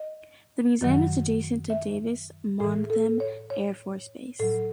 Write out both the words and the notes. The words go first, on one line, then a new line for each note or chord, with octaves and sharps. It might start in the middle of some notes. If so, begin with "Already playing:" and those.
The museum is adjacent to Davis-Monthan Air Force Base.
Already playing: D#5
F#2 D#3 F#3
E5
A2 E3 G#4
A4
C#5
C#5
A2 F#3 A4